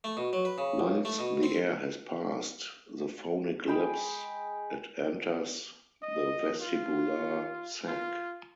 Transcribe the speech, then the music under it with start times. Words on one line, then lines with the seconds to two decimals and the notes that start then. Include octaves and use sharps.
Once the air has passed the phonic lips it enters the vestibular sac.
0.04 A3
0.17 B2
0.33 F#3
0.45 B4
0.58 C#3
0.79 C#2
1.05 A3
1.19 B2
1.43 C4
3.67 G#3 G5 B5
6.02 D#5
6.60 F4
7.88 F4